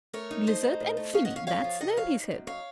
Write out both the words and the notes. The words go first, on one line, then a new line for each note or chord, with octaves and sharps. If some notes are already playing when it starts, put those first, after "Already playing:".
"Blizzard and Finney, that's them," he said.
A3 A#4 C#5
D#4
A3 C5 D#5
D#4
A2
A3
C#4 C#5 F5
D#5 F#5
C#4
C#5 F5
F2 C#5 F5
F3
C3 D#5 F#5
F3 C#5 F5
D#4
F#2
D#4 C#5 F5